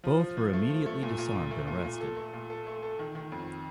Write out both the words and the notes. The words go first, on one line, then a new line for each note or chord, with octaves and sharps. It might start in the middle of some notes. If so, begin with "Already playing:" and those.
Both were immediately disarmed and arrested.
F3
F3
F3
A3
F3
A3
A#2
A#2
A#2
A3
A#2
A#2
A4
A3
A#2
A4
A3
A4
D#3
D#3
F2